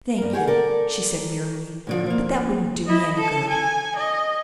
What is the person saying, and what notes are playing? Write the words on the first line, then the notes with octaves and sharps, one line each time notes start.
"Thank you," she said, wearily, "but that wouldn't do me any good."
G2 A#4
G4 G#4 C#5 F#5
A4 A#4 D5
A2 D3 F3
F3 A#3
E4 D#5
A4 A5
G#5
D#5